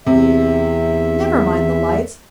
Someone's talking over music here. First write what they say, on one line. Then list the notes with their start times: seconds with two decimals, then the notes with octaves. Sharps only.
Never mind the lights.
0.06 E2 C3 E5